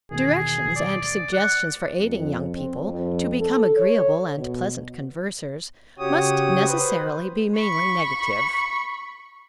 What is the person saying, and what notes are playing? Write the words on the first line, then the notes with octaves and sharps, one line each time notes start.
Directions and suggestions for aiding young people to become agreeable and pleasant conversers must necessarily be mainly negative.
E2 B2 D#3 G#4
D5
D2 A6
F#5
F2
C4
F2
A4
C#5
B2
C#3 F#4 G4 C#5 D#6
B4 C5
B5 C#6